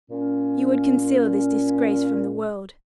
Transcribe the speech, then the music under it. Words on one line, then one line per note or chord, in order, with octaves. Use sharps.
You would conceal this disgrace from the world.
A#2 C#4